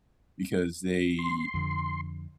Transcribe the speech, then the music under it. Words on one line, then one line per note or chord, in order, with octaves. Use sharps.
because they
C6
F2 D3